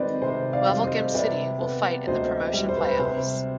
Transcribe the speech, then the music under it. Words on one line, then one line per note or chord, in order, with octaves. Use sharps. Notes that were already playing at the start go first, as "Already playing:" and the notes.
Wevelgem City will fight in the Promotion playoffs.
Already playing: D#3 C4 B4 C5 D5 D#5
C3 C5
D5 F5
G3
C5 D#5
C3 B4 D5
B3
D2 C5 D#5
G3
C5
B4
B4
C3 C5